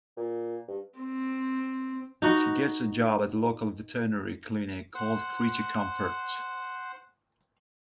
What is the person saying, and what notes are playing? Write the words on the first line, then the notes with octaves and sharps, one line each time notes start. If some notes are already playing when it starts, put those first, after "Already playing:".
She gets a job at a local veterinary clinic called Creature Comforts.
A#2
G2
C4
D#4 F#4 B4
C5 F#5